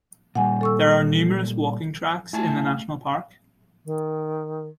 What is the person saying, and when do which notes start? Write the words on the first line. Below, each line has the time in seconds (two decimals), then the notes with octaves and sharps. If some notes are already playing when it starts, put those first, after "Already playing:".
There are numerous walking tracks in the national park.
0.35 A#2 G3 F#5 G#5
0.61 A4 C#6 E6
2.33 A3 E4 G#5 A5
3.85 D#3